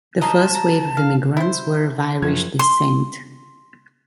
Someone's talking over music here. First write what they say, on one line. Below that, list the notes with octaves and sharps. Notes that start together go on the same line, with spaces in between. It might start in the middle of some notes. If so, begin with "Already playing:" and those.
The first wave of immigrants were of Irish descent.
D#5 A5 A#5 C6
A#5
F5
E4 C5
F#1 F3 G#6
C6